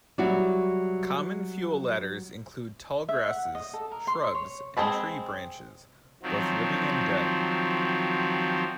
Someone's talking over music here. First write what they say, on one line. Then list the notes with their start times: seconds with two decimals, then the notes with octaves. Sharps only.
Common fuel ladders include tall grasses, shrubs, and tree branches, both living and dead.
0.18 F#3 G3 E4 F#4
3.09 E5
3.30 F#5
3.55 D#5
3.73 A4
3.92 A#4
4.07 C6
4.35 C#5
4.77 G#3 C4 G#4 A5 B5
6.23 D#3 F3 F#3 C4